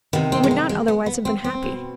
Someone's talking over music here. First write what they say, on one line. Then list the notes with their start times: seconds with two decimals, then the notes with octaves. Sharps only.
He would not otherwise have been happy.
0.13 C3 D#3 B3
0.32 C4
0.44 G#3
0.51 B3
0.69 G#3
0.88 B3
1.06 B3
1.25 C4
1.44 C4
1.63 B2